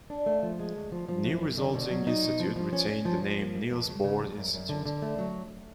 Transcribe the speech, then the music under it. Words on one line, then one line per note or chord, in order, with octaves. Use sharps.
The new resulting institute retained the name Niels Bohr Institute.
D4
A3
F3
G#3
D2
F3
F3
F#2
F#2
D3
B2
F#3
D#4
B2
F3
F3
C#4
C#4
F3
F3
A#3
G#2
F2
C#3
C#3
F2
F#2
F#2
D3
D3
A3
F#3